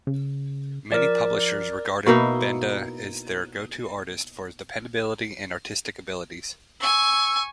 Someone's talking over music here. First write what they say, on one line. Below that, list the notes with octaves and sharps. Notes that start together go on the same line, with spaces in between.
Many publishers regarded Benda as their go-to artist for his dependability and artistic abilities.
C#3
F3 A#4 D5
B2 A#3 D#4 E4
G#5 C#6 E6